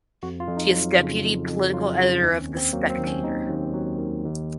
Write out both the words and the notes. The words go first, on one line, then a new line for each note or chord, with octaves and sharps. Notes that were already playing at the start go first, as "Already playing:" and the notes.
She is deputy political editor of "The Spectator".
F2 F#4
F4
F2
D#4
F#3
C#3
F2
F2
F#3 F4
C#3
D#2 D#4
C4
C#4
D#2
C4
F#3 A#3
C4
D#3
C#4
D#2 D#4
D#2
F#3
D#3
D#2